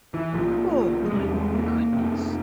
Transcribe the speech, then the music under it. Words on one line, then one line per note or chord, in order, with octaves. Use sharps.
Oh, my goodness.
E3
C2 A#2 F3
G#3
E2 C3 G3
G#3
A#3
F2 C3